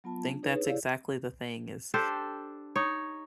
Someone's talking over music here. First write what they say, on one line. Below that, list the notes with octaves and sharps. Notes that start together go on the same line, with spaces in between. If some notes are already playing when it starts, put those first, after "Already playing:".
think that's exactly the thing is,
F#3 B3 F4 A5
D4
D4 D#4 G#4 B4 C#5
E4 G4 G#4 C#5 D5 F5
D4 G4 A4 C5
D#4 C#5